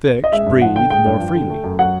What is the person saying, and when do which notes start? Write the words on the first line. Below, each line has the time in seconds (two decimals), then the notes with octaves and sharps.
Fix breathed more freely.
0.24 D#5
0.32 G#3 E5
0.46 G2
0.61 F3 F#5
0.76 D3 G5
0.90 G#3 G5
1.06 G2
1.20 F3
1.35 D3
1.50 A3
1.64 F#2
1.79 F#3 F#5